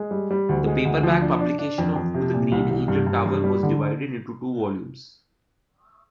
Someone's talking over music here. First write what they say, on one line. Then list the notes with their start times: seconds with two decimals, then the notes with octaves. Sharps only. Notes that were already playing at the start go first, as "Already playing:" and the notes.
The paperback publication of "To Green Angel Tower" was divided into two volumes.
Already playing: G#3
0.11 G3
0.31 G3
0.49 D2
0.66 G#3
0.85 D2
1.03 F3
1.22 D4
1.40 D4
1.59 D4
1.78 F2
1.96 F2
2.14 C3
2.33 A#2
2.52 C2
2.71 C2
2.88 G2
3.07 G2
3.26 G2
3.44 G3
3.63 D3